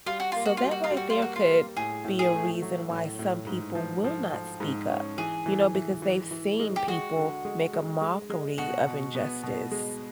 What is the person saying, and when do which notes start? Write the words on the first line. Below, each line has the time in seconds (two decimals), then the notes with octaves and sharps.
So, that right there could be a reason why some people will not speak up, you know, because they've seen people make a mockery of injustice.
0.06 G3 F4
0.20 F#4
0.32 A#3 F4
0.46 F#4
0.57 F4
0.64 G3
0.71 F#4
0.84 F4
0.91 G3
0.97 F#4
1.10 F4
1.20 A#3 F#4
1.36 F4
1.48 A#3
1.77 A2 G#4
2.05 A2
2.19 G#4
2.34 A3
2.62 F#3
2.90 A2
3.19 A2
3.47 G#2
3.75 F3
4.04 F3
4.32 F3
4.60 G#2
4.89 C#4
5.18 E3 G#4
5.46 E3
5.75 E3
6.02 E3
6.31 E3
6.59 G#3
6.76 G4
6.88 G#3 F#4
7.16 D3
7.45 G#3
7.73 G#3
8.01 G#3
8.30 G#3
8.58 B2 F#4
8.86 B2
9.15 B3
9.43 B2
9.71 G#3